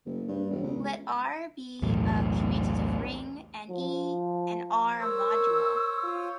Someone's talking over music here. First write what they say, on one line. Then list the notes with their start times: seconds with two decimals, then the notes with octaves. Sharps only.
Let "R" be a commutative ring and "E" an "R"-module.
0.05 F#1
0.28 G2
0.50 E1
0.63 C#2
1.82 B1 E2 A2 F#3
3.70 F3
5.00 A#4 C5 C#5 E6
6.03 F4